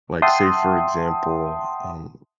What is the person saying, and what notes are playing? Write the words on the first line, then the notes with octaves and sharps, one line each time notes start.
like, say, for example, um
E5 F#5 G5 A5 C6 D#6